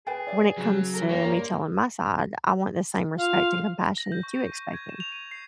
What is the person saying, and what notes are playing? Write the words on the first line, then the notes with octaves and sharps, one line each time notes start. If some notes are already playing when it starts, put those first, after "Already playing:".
when it comes to me telling my side, I want the same respect and compassion that you expected.
G#4 B4 G5 A6
D5 E5 A6
C#3 F#3 G#5 E7
A4 A#4
G1 A#3 E4 C#5 G5
G2 A#4 A#5 C6
F4 F5
A#6
G6
C#6
D#7
D#7
G#6
E7
F7
D#7
C7